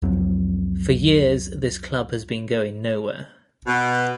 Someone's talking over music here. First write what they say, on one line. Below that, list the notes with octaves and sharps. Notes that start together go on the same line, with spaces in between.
For years this club has been going nowhere.
C2 F2 F#3 C4
B2